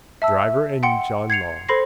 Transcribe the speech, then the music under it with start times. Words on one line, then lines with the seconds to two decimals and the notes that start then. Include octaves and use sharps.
Driver in John Long's.
0.22 E5 A5 E6
0.83 F#5 G5 C6 C#7
1.30 G#6 C7 C#7 F7
1.68 A4 C5 B5 C6 A#6 C7